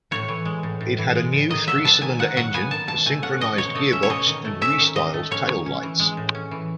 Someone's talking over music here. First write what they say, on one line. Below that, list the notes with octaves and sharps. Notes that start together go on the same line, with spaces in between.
It had a new, three-cylinder engine, a synchronized gearbox and restyled tail lights.
A2 C#5
E3
G#3
A2
A2
E3
G#3
A2
D#3 D#5
F#3 E5
B3 A5
D#3 G#5
D#3 F#5
F#3 F#5
B3 G#5
D#3 A5
B2 A5
A3 G#5
C#4 F#5
B2 D#5
B2 C#5
A3 D#5
C#4 E5
C#5
B2 D#5
D#3 D#5
A3
C#4 E5
D#3
D#3 D#5
A3
C#4 C#5
D#3
C#4
E3
G#3
A2
C#4
E3